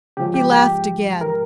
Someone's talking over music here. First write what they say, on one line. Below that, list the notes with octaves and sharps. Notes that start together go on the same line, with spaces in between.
He laughed again.
C#3 F3 G#3 G4
G4
G4
A#4